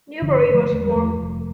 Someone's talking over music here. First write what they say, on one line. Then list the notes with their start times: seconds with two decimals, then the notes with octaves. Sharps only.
Newbury was formed.
0.22 G1 D3 F3
0.46 D3 B3
0.55 F3 A3
0.71 E2 A3
0.84 G3
0.95 E2 F3 A3
1.21 F1